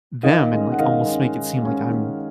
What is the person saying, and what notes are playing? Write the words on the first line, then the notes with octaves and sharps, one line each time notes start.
them," and, like, almost make it seem like I'm
D#3 D#5 F5
G#3 C#4
F#5
D#3 D#5 F5
G#3 C#4
D#3
G#3 C#4
D#3